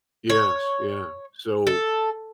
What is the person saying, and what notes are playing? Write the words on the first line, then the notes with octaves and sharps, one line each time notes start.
Yes, yeah, so,
C#5
A4